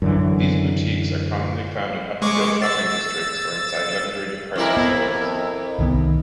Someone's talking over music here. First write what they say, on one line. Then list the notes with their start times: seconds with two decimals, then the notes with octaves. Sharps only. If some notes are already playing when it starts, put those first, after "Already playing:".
These boutiques are commonly found in upscale shopping districts or inside luxury department stores.
0.02 F#2 D3 E3
2.22 G#3 C#6 D6
2.62 E6 A6
4.56 F2 E4 A#4
4.77 B3
5.79 C2 D#3 B3